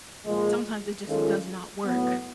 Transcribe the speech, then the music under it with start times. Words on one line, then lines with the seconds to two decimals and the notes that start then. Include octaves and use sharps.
sometimes it just does not work.
0.25 A#2 F3 G#3
1.05 D#3 G#3 C#4 F4 A4
1.86 A2 F#3 B3